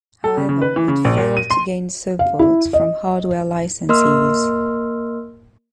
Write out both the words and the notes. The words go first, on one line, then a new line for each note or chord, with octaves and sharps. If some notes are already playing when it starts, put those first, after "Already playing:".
However, it failed to gain support from hardware licensees.
A4
C#3
C#3
B4
E3
C#3
A#1
A#2
D#7
C6
F5
E4
D#5
A#3 A#4 D#5 C6 E6 F6